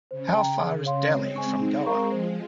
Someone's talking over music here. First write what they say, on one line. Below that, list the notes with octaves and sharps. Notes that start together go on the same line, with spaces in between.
How far is Delhi from Goa?
C#3 C5
G5 A#5
C#3 G#4
C#5 F5 C6
G#3 C4 C#5
G#5 C#6
G#3 C4 D#4
A#4 F5 A#5 C#6
F3 G#3 C5